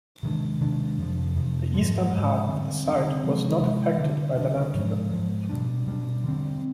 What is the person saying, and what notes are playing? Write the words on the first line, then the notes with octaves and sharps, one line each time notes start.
The eastern half of the site was not affected by the landfill.
C3 D#3 G#3 D4
C3 D#3 G#3 D4
F2 C3 F3
F2 C3 F3
G#2 F3 G#3
G#2 F3 G#3
D3 G3 C4
D3 G3 C4
C3 F3 G#3
C3 F3 G#3
D3 G3 D4
D3 G3 D4
G#2 F3 G#3
G#2 F3 G#3
B2 G3 D4
B2 G3 D4
D3 G3 C4